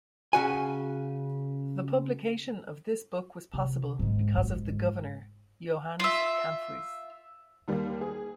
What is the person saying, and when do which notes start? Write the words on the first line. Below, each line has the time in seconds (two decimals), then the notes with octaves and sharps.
The publication of this book was possible because of the governor Johannes Camphuys.
0.33 C#3 F#4 G#5
3.54 C3
3.99 G#2 G#3
4.34 F#1 G#2
6.00 F4 E5
7.68 D#2 G3 A#3
8.01 G#4